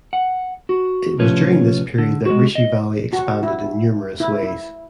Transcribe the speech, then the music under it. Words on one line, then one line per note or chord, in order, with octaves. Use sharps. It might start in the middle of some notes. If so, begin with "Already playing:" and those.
It was during this period that Rishi Valley expanded in numerous ways.
F#5
F#4
C2 A2 F3 C#4 B4 C#5
D3
G#3 F#4
D#5
F#4
E4
E4
E4